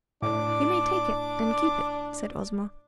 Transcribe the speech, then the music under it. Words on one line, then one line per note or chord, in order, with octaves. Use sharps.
"You may take it and keep it," said Ozma.
A2 D4 D6